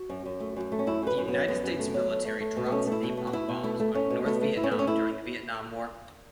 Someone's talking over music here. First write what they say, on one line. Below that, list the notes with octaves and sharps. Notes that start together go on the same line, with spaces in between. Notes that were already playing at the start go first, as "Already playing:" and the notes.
The United States military dropped napalm bombs on North Vietnam during the Vietnam War.
Already playing: F#4
F#2
F#2
A3
F#2
A3
C#4
F#2 E4
F#2 B4
F#2
F#3 B3
F#2 B3
F#2
A3
F#3
A3
A3
A3
B2
B3
A3 C#4
A3 E4
B2
A3
F#4
A3 E4
B2
A3 E4
A3
A3 C#4
B2
A3 B3
A3
A3 E4
C#4
A3 B3
C#4
A3 E4